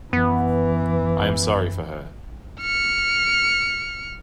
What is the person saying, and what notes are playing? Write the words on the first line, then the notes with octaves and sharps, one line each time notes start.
I am sorry for her.
F#2 E3 B3
F6 C#7